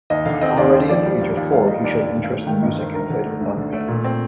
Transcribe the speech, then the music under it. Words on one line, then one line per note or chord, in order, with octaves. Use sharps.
Already at the age of four he showed interest in music and played harmonica.
D#2 D#5
D3 F5
C4 D#5
D#2 D5
C4 C5
F3 D5
G3
D#2
D#2
G3 F5
D#2 D#5
D#2 D5
G2 D5
A3
F5
A3
D#3 G5
G2 D#5
D#3 C5
D2 A#4
D3
A3
D2
D3
A3
A#2
C4